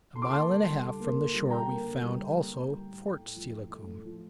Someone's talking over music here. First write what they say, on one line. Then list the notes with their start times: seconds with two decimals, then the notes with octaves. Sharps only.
A mile and a half from the shore we found also Fort Steilacoom.
0.15 D3 C6
0.22 D6
0.30 A#3 A5 C6
0.49 D3
0.65 G3
0.83 D3
1.00 A#3
1.16 D3
1.33 G3
1.50 D3 G5 A#5
1.68 A#3
1.84 D3
2.01 G3
2.19 D3
2.35 A#3
2.52 D3
2.69 G3
2.86 A2
3.03 A3
3.20 A2
3.36 F3
3.54 A2
3.71 A3
3.87 A2
4.05 F3